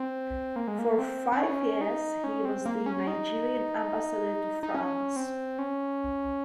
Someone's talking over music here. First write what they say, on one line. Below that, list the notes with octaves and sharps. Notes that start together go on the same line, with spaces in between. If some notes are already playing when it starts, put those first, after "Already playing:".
For five years he was the Nigerian Ambassador to France.
Already playing: C4
A#3
G#3
A#3
C4
C4
C#4
D#4
C#4
C4
A#3
C#4
D#4
D#4
C#4
C4
C#4